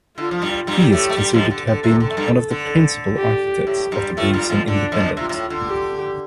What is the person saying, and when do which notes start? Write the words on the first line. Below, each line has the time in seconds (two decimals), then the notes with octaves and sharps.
He is considered to have been one of the principal architects of Belizean independence.
0.17 D3 F4
0.31 F3
0.42 G2 G3
0.67 G2 G3 G4
0.92 A2 A3
1.09 A3
1.17 G2 G3
1.34 F2 F3
1.51 D3
1.67 D3 A4
1.84 C3
2.00 D3
2.10 A3
2.17 G2 G3
2.50 D3
3.17 G4
3.67 A2 G4
3.92 G2 G3
4.17 A2 A3 F4
4.34 G2 G3
4.50 F2 F3
4.67 D3 D4
4.92 F2 F3
5.17 C3 F4
5.29 C3
5.33 A2
5.50 D3
5.67 G4